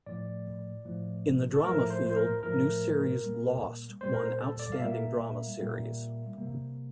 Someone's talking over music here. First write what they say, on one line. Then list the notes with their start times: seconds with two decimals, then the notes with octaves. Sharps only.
In the drama field, new series "Lost" won Outstanding Drama Series.
0.06 A2 F3 A3 D5
0.85 A2 F3 A3
1.54 A4
1.63 A2 F3 A3 A#4
1.90 C5
2.06 C5
2.16 A#4
2.43 A2 F3 A3 A#4
3.23 A#2 G3 A#3
4.01 A#2 G3 A#3 C5
4.14 A#4
4.21 C5
4.40 A4
4.59 D5
4.72 F5
4.79 A#2 G3 A#3 E5
5.59 A#2 G3 A#3
6.38 C3 G3 A#3